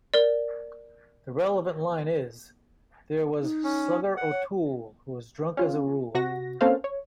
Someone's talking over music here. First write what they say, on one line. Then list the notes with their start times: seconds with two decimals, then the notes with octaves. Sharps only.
The relevant line is: "There was Slugger O'Toole who was drunk as a rule".
0.14 A#4 D5
3.42 D#4
3.64 C#4
4.17 F#5
4.31 C#5
5.57 C#4 F4
6.15 C3 F#4 A#6
6.61 A#3 C4 C#4 A4 C5 F5
6.84 C#5